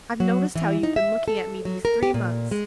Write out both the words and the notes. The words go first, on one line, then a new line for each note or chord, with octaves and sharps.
I've noticed how you've been looking at me these three months.
F#3
E3
D#4
E5
A4
F#3
A#4
G4
A#2
G#3